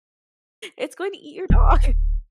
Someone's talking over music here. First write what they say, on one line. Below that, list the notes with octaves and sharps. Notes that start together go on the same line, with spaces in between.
It's going to eat your dog.
D1